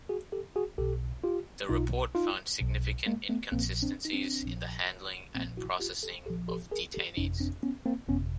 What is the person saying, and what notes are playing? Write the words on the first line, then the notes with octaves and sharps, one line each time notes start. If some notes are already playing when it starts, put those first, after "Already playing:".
The Report found significant inconsistencies in the handling and processing of detainees.
F#4 G#4
G4 A4
F#4 G#4
B1 B2 G4 A4
F4 G4
B1 B2 D#4 F4
D#4 F4
B1 B2
G#3 A#3
A3 B3
A#1 A#2 F3 A#3 C4
C4 D4
D#4
C4 D4
A#1 A#2 F3
A#1 A#2 F3 A#3 C4
E4 F#4
F4 G4
G4 A4
A#1 A#2 F3 G4 A4
G4 A4
G#4 A#4
G4 A4
G1 F2 C3 C#4 D#4
C4 D4
B3 C#4
A#3 C4
G1 F2 C3 B3 C#4